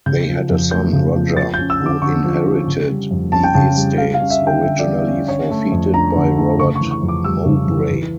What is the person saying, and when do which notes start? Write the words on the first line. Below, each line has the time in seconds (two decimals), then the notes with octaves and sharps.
They had a son, Roger, who inherited the estates originally forfeited by Robert Mowbray.
0.06 C#3 G6
0.28 F3
0.49 F2
0.71 A3 G6
0.93 C#3
1.15 F3
1.36 F3 A6
1.54 G6
1.59 C#4
1.70 E6
1.80 D3
1.86 D6
2.02 D3 C#6
2.24 F3
2.46 C#4
2.67 C#3
2.89 G3
3.11 F2
3.32 C#4 A5
3.43 G5
3.54 C#3 A5
3.76 G3
3.98 G3 F5
4.14 F5
4.20 C#4
4.30 E5
4.42 D3
4.47 G5
4.63 D3 E5
4.79 D5
4.85 G3
4.96 E5
5.07 C#4
5.28 D3 C#5
5.50 A3
5.72 F2
5.94 D4 A#5
6.16 D3
6.37 A3
6.59 C#3 C#6
6.76 C#6
6.81 E3
6.91 C#6
7.02 F2
7.08 D6
7.24 G3 E6
7.46 C#3
7.68 E3
7.90 E3